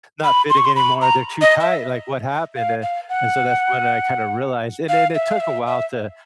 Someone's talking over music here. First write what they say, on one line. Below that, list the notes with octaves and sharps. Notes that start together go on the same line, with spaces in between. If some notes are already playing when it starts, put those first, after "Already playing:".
not fitting anymore, they're too tight, like, what happened?" Eh, and so that's when I kinda realized and then it took a while to
B5
C6
C#6
C6
B5
A#5
D#5
E5
F5
F5
F#5
F5
E5
F5
E5
E5